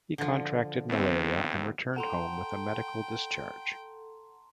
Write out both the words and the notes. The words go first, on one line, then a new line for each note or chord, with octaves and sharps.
He contracted malaria and returned home with a medical discharge.
D3 F3
D#2 B3 C4
A4 F#5 G5 A5 A#5 C6